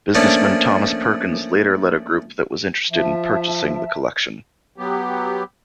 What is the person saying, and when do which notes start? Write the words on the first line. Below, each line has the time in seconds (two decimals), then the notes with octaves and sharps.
Businessman Thomas Perkins later led a group that was interested in purchasing the collection.
0.14 F3 A3 A#3 C#4 D4
2.90 F3 E5 A5
4.78 F#3 B3 G4